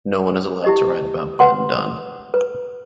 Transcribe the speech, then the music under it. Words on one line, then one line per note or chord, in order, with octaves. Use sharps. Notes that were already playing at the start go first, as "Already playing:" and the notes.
No one is allowed to write about Ben Dunne.
E4 G4 D#5
B4 F#5 C6
B4